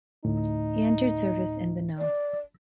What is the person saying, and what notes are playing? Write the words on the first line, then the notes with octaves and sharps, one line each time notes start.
He entered service in the No.
D2 A2 D#4
D5